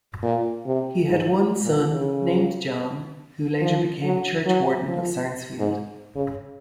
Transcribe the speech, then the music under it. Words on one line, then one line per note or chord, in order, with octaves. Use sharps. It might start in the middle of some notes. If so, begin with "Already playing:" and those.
He had one son, named John, who later became churchwarden of Sarnesfield.
A#2
C3
G#2
A#2
C#3
F3
F#3
F#3
F3
G#2
C#3